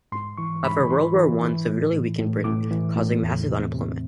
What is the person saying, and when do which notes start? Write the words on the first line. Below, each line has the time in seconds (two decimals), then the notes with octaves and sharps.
However, World War One severely weakened Britain, causing massive unemployment.
0.12 G#2 C6
0.38 E3 C#6
0.63 G#2 B5
0.89 E3 C6
1.15 E3
1.41 E3
1.68 A2
1.93 A2
2.19 A2
2.44 A2 D6
2.71 E3
2.96 A2
3.22 E2
3.49 C3
3.74 C3